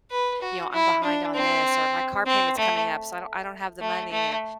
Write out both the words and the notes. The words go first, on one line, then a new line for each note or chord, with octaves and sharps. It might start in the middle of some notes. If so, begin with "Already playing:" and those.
you know, I'm behind on this," or "My car payment's coming up, so I don't I don't have the money," and,
B4
F#4
E4
D4
C4
C4
A3
A3
A3